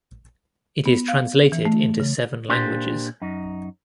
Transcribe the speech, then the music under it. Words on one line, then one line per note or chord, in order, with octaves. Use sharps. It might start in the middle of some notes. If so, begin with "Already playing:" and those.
It is translated into seven languages.
B3
F5
E3
A3
C#3
A#2 D4 G4 A#4 C5 C6
F#2 D#4